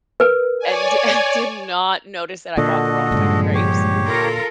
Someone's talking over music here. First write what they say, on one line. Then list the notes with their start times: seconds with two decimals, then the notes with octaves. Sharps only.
and di and did not notice that I bought the wrong kind of grapes.
0.20 A#4 B4
0.59 C#5 D5 G#5
2.57 A#2 D3 F#4 A4 D#5
3.11 G2 C#3 F3 G#3
3.54 G4 C#5
4.06 F4 A4 A#4